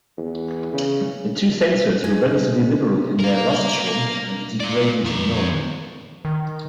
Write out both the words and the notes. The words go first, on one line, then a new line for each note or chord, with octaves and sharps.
The two censors were relatively liberal in their "lustrum" and degraded none.
E2
C#3
G#3
A#4 F5
F4 D5
F2 C#5
D#3